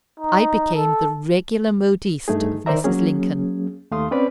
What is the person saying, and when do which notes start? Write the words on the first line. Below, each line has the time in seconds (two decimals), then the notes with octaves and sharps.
I became the regular modiste of Mrs. Lincoln.
0.20 D#4
0.75 A4
2.28 G2 A3 D#4 G#4
2.66 D#3 A#4 C5 D5 E5 A#5
2.84 F#3 A#3 C#4 G#4
3.91 D#2 A3 F5 C6 D#6
4.11 C4 C#4 B4 D5 B5